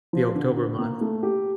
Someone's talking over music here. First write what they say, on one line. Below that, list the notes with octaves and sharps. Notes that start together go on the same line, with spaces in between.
the October month,
F3
D3
D3
A#3
A3
G4